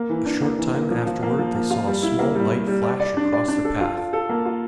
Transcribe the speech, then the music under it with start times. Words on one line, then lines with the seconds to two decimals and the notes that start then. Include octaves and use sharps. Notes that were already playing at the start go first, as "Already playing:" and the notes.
A short time afterward they saw a small light flash across their path.
Already playing: A#3
0.09 E3
0.26 D4
0.42 A#3
0.58 E3
0.74 A#3
0.90 F3
1.06 F3
1.23 A#3
1.39 F3
1.55 A#3
1.70 F4
1.87 G3
2.03 E4
2.19 A#3
2.35 G3
2.52 G3
2.67 G3
2.83 D5
3.00 D5
3.17 D4
3.33 D5
3.48 D4
3.65 A4
3.81 F4
3.97 A4
4.13 A4
4.29 A#3
4.45 F4